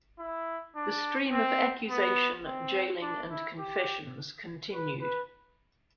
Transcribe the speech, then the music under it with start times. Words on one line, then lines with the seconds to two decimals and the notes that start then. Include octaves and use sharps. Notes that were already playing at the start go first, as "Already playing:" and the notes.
The stream of accusation, jailing and confessions continued.
0.19 E4
0.76 D4
1.32 C4
1.89 B3
2.46 C4
3.02 D4
3.31 E4
3.59 G4
4.72 B4
5.01 B4